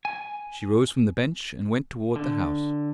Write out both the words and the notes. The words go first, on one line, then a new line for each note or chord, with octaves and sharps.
She rose from the bench and went toward the house.
G#5
D3